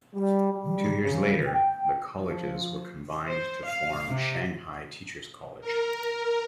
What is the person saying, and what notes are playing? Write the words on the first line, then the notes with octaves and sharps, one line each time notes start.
Two years later, the colleges were combined to form Shanghai Teachers College.
G3
G3
C#3
G5
F3
C5
F5
C3
A#4